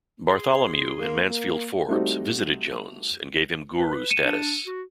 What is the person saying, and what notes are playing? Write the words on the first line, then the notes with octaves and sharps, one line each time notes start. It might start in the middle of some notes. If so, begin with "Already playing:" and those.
Bartholomew and Mansfield Forbes visited Jones, and gave him "guru" status.
G#4 C6
A#3
A#3
G3 A3 C4 D#4 F#4
B4
C#7 D#7 E7
D4
F#4